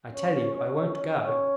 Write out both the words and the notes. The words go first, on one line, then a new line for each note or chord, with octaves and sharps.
"I tell you I won't go."
C#4
D4
C#4